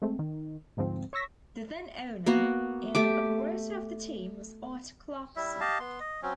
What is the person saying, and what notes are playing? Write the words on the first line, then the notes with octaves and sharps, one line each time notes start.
The then owner and operator of the team was Art Clarkson.
G#3 A3 C4
D#3
D2 G#2 F3 C4
C#5 C#6 E6 A#6 B6
A#3 B3 F#4
A3 G4 D6
G3 E4 E5
G4 D#5 F5 A5
B3 C6
D#5
F#3 C4 C#4